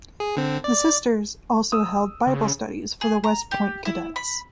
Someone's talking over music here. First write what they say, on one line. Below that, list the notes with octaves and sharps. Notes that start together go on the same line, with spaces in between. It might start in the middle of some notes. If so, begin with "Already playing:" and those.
The sisters also held Bible studies for the West Point cadets.
G#4
D3 C4
D5
D#6 E6
C#3
G#4
A#5
G4
E4
B5